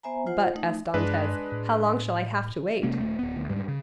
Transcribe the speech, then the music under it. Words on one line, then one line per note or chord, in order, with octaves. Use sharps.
"But," asked Dantes, "how long shall I have to wait?"
B3 C5 E5 G#5 A#5
F4 C5 F#5
A3 D#4
G2 G#3 D4 B4
A2
C3 G#3 A#3 C#4
D#1 A3
D1 B3
D2
G#2 G3
C#3